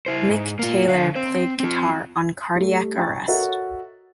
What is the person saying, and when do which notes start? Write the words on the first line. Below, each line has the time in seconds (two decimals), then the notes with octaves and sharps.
Mick Taylor played guitar on "Cardiac Arrest".
0.06 E4 C5
0.29 G#2
0.59 A#3 F4
0.88 D3 F5
1.15 C4 C5
1.60 C4 F4
2.55 G3 A3
2.97 G5 G#5 A#5 C#6 A6
3.28 F#4 A4 A#4 C#5 D#5 E5